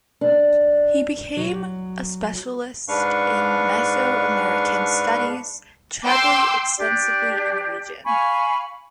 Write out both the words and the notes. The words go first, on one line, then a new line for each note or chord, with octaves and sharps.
He became a specialist in Mesoamerican studies, travelling extensively in the region.
D4
F#3
G#2 D4 B4 F5 C#6
G5 C6 D6 E6
D4 G4 D5
F5 G#5 B5 C#6